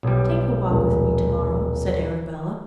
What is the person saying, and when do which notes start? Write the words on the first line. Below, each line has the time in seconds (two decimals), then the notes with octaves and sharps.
"Take a walk with me to-morrow," said Arabella.
0.03 B1 G3
0.70 D#1 F3 G#3